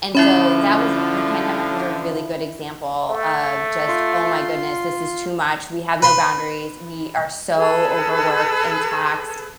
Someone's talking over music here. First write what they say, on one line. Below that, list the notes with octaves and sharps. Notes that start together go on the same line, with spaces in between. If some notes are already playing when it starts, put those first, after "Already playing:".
and so, that was a The pandemic was a really good example of just, "Oh my goodness, this is too much, we have no boundaries, we are so overworked and taxed.
D3 F3 C#4 E4 E5 B5
A3
F4 C6
B4 B5 C6
G#4 A4 B4